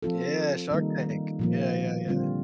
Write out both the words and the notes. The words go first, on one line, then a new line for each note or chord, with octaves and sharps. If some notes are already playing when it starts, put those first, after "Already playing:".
Yeah, Shark Tank. Yeah, yeah, yeah.
F3 C4 F4 A4
D#3 G3 A#3 D#4
A#2 F3 A#3
D3 G3 C4 F4